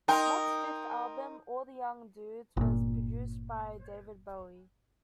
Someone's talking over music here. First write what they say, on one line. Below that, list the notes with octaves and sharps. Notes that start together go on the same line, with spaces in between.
Mott's fifth album, "All the Young Dudes", was produced by David Bowie.
D#4 A#4 G5 C6
G1 A#2